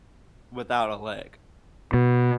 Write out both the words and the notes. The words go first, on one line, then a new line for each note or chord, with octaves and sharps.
without a leg.
B2